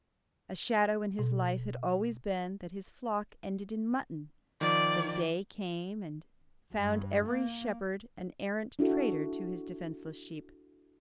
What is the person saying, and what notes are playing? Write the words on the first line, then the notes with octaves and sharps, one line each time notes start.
A shadow in his life had always been that his flock ended in mutton--that a day came and found every shepherd an arrant traitor to his defenseless sheep.
B2
D#3 F3 D5
G2
A#3
D4 E4 F#4 A4